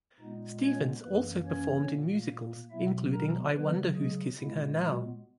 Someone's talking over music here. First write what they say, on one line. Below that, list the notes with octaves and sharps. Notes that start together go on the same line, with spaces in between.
Stevens also performed in musicals including I Wonder Who's Kissing Her Now?
A#2 G#3 B3 D#4
C#4 C#5
F#2 E3 A#3 B3 B4
C#4 C#5
A#2 A#3
B2 F#3 B3 E4 E5
A#4 A#5
C#3 F#3 B3 B4
G#3 G#4
A#2 G#3 B3 E4
F#3 F#4